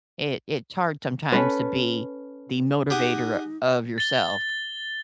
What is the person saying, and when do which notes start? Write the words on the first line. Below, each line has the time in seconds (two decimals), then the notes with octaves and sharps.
It it's hard sometimes to be the motivator of yourself,
1.32 C#4 D4 A4 B4
2.90 D#4 G4 G#4 F#5
3.98 A6 G7